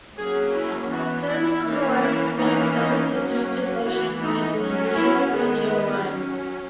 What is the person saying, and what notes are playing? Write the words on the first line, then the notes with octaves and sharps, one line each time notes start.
Service on the line has been extended to Tokyo Station via the Ueno-Tokyo Line.
F#3 A#3 C#4 G#4
E4
E3 B3 F#4
E4
E3 A#3 C#4
E4
E3 A#3 C#4 D#4
D#4
F#3 A#3 C#4
E3 B3 F#4
D#4
F#3 C#4
E4
D#3 G#3 B3 G#4
B4
F#3 C#4